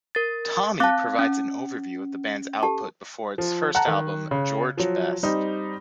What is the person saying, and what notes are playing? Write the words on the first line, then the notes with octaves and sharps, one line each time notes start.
"Tommy" provides an overview of the band's output before its first album "George Best".
A#4 A6
C4 F5 A5 D6 F#6
C#4
G4 A4 A5
F3
F#5 A5 A#5 F#6
D#3
C#3
F3 F#3
G3 C4 D#4